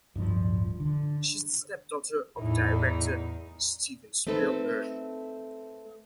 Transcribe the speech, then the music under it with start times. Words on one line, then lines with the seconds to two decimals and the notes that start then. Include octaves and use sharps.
She is the stepdaughter of director Steven Spielberg.
0.16 D1 G2 F3
0.80 D3
2.37 E2 A2 D#4 E4
4.27 A3 C4 D#4 A4 B4